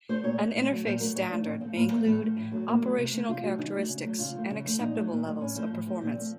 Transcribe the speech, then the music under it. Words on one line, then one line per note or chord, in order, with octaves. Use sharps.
An interface standard may include operational characteristics and acceptable levels of performance.
A3 C5
A#2 C#5
A3
A#2
F#3 A3
A#2 C5
F#3 A3 A#4
A2 C#5
F3 A3 D#4
A2 C#4
F3 A3 C4
A2 A#3
F3 A3 A#3
A2 A3
F3 A3
A2
F#3 A3
A2 A#3
F#3 A3
C3
F3 A3
C3 F4
F3 A3 F#4
C#3 D#4
F#3 A3
C#3
F#3 A3
C#3 F4
F3 A3
C#3
F3 A3
A#2 D#4
F#3 A3
A#2
F#3 A3
A2 C#4
F3 A3
A2
F3 A3
A#2 C4
F3 A3